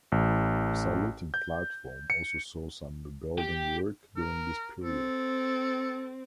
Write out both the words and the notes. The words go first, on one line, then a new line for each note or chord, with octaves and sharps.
The saluting platform also saw some rebuilding work during this period.
A1
G6
C#7
G4
A#4
C4 A4